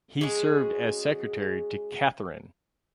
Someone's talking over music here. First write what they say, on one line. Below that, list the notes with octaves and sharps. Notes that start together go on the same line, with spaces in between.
He served as secretary to Catherine.
G#3 C#4 F#4 G#4